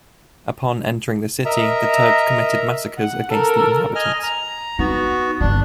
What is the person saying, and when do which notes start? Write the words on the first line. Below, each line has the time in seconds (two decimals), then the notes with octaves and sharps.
Upon entering the city, the Turks committed massacres against the inhabitants.
1.45 A#4 D#5 E5 A#5
2.99 F#5
3.30 A4 A#4
3.95 D#5 G#5 F6
4.23 A#5
4.79 B3 D#4 F#4
5.41 G1 D3 D4